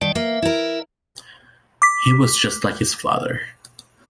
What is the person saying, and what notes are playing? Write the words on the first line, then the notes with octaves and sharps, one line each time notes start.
He was just like his father.
D#3 G3 D5 A5
A#3 E5
E4 A#4
D6 B6